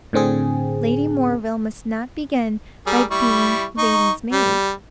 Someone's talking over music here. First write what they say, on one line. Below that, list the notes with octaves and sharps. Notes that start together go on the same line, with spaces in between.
'Lady Morville must not begin by being lady's-maid.'
A2 D3 C4 G#4
G3 G#4 A#4
G3 E4 C#6
D#4 C#6
G3